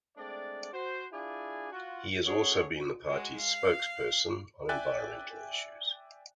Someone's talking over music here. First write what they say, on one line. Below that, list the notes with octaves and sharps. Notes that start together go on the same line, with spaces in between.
He has also been the party's spokesperson on environmental issues.
G#3 A3 C4 D4 D5
F#4 C5
D4 E4 F4 G#4 D5 G#5
F4 F#4
A3 C#4 F#4 G#4 C#5
G#3 F#4
F5
D5 E5 G5 G#5 F#6 A6